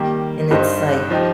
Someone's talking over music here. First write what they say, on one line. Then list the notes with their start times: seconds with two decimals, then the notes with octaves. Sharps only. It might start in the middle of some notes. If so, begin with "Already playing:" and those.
and it's like,
Already playing: D#3 G3 A#3 G4
0.51 G2 G3 D#4 C5 D#5
1.10 F3 D#4 G4